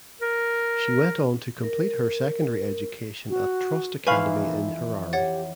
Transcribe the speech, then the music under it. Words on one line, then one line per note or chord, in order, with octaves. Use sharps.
She went on to complete her secondary education at Trust Academy in Harare.
A#4
A#4
F#4
F2 E3 D#4 B4 F5 G#5 C#6 F#7
G4 C#5 F#5 A6